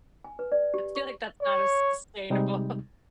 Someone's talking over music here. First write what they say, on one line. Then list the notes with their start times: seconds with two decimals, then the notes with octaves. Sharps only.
feel like that's not as sustainable,
0.24 G#5
0.39 B4
0.52 D5
0.74 G4
0.95 C#6
1.42 C#5
2.30 C3 G3 G#3 D#4